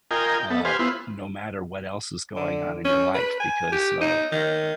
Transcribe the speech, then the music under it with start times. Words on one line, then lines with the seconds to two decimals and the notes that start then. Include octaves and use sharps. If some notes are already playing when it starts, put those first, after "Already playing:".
uh, no matter what else is going on in your life because, uh,
0.11 F4 A#4 D#5 G5 G#5
0.38 G5
0.50 B3 A4
0.65 G4 B4 C5 F5 G#5
0.79 B3 E4 F4 B4 C5
2.37 D3
2.85 C#4
3.15 B4
3.40 G#5
3.72 G4
4.02 D#4
4.32 D#3